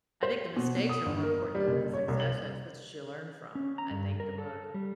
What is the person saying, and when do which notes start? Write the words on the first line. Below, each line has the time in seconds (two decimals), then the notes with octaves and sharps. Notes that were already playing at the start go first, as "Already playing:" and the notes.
I think the mistakes are more important than the successes, that's ya learn from, I think, the most
0.23 C5
0.56 B2
0.77 B2
0.89 D#6
1.06 G1
1.23 A#4
1.55 G3
1.67 F#1
1.93 C#5
2.08 C2
2.20 F#7
3.55 C#4
3.78 A#5
3.90 G2
4.20 A#4
4.38 A4
4.74 G3